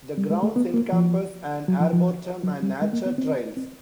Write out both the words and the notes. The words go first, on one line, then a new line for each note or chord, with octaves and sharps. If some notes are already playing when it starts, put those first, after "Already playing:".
The grounds encompass an arboretum and nature trails.
G3
G#3
A3
B3
A#3
F3
F#3
F3
F3
F#3
G3
G#3
A#3
B3
C4
C4